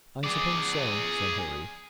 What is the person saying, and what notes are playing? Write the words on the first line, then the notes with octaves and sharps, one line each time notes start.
"I suppose so," said Harry.
G#4 D5